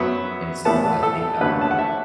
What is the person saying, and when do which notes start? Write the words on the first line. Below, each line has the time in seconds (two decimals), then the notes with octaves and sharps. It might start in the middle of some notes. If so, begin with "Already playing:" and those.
and so I think, um
Already playing: F#2 F#3 B3 E5
0.65 A2 E3 B3 A5
1.03 A4
1.41 F#2 D3 A3 B4
1.61 A5
1.71 F#5
1.79 E5